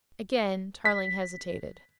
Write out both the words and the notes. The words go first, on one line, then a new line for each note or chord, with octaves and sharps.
Again Tarling hesitated.
B6